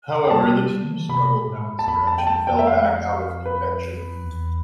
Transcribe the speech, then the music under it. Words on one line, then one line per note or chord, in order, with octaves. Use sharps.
However, the team struggled down the stretch and fell back out of contention.
G5
G3 A5
G3
G3
D3
E3
C3 B5
B2
A2
A5
F2 B5
A5
G5
A5
G5
E5
F5
B4
E2